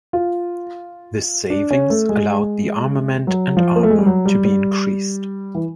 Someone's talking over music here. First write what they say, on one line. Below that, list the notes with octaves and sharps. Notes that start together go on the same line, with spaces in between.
This savings allowed the armament and armor to be increased.
F4
D4
C#4
A3
G#3
F#3
F3
A#3
A3
G#3
G3
F#3
G3
G3
E3